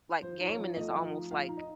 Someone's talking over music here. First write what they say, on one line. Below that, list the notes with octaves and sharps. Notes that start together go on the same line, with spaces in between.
like, gaming is almost, like,
F3 C5
D#4
C#5
F3
A3 D#5
F3
D#4
F3 F5
D#4
D#5